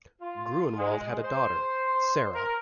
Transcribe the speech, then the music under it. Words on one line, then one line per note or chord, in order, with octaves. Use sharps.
Gruenwald had a daughter, Sara.
F4
G#3
C5
A#4